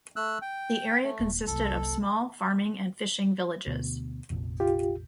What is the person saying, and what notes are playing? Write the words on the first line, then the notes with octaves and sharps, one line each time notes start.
The area consisted of small farming and fishing villages.
A3 E6 F#6
G5
A3
D#1
F#1 C2 A4
D2 B2
F1 A#1 F2
F4 G4